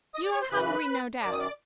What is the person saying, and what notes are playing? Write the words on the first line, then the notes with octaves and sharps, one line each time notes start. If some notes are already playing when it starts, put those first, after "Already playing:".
You are hungry, no doubt.
D#5 D#6
D5 D6
C#5 C#6
C5 C6
F#2 C#3 E3 B4 B5
F#2 D#3 D5 D6
D#6
D5 D6